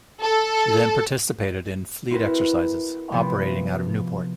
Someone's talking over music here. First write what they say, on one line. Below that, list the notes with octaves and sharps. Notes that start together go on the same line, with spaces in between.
She then participated in fleet exercises, operating out of Newport.
A4
C4 E4 F#4 A#4 B4
C3 F3 A3 B3 C4